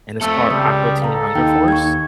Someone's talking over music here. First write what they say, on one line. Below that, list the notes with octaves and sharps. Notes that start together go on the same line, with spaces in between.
And it's called "Aqua Teen Hunger Force."
A3 C4 A4 A5 E6 C#7
C#2 G3 D#6
A4 F5 A#5
D#2 D#4 G5
C#6 G#6